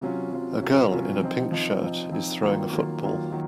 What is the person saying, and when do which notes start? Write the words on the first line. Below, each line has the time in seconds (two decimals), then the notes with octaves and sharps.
A girl in a pink shirt is throwing a football.
0.01 C3 F#3 C#4 F4
0.31 C3 F#3 C#4 F4
0.62 C3 F#3 C#4 F4
0.92 C3 F#3 C#4 F4
1.22 F3 C4 D#4
1.52 F3 C4 D#4
1.81 F3 C4 D#4
2.11 F3 C4 D#4
2.41 D#3 F#3 A#3 F4
2.72 D#3 F#3 A#3 F4
3.02 D#3 F#3 A#3 F4
3.32 D#3 F#3